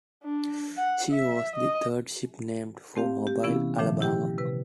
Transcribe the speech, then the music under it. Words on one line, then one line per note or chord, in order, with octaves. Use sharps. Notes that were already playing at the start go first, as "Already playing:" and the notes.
She was the third ship named for Mobile, Alabama.
D4
F#5
E5
D#5
A3 C4 G4 F5
G4
C3 E3 B3 C#4 E4 F5
A#2 D#3 F3 A3 E5
E4 G4 G5
C3 B4